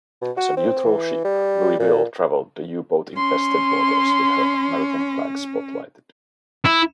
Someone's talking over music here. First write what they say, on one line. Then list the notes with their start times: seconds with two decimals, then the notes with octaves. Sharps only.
As a neutral ship, "Louisville" traveled the U-boat-infested waters with her American flag spotlighted.
0.21 B2
0.37 F#4
0.57 C4
0.85 E3
1.24 G3
1.79 A#2
3.16 C#4 C6
6.65 E4